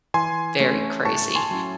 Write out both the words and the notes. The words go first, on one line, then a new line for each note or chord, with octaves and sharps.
very crazy
E3 G#5 C6
A3 C#4
A2 A5 C#6
G#5 C6
F#3 C#4 E4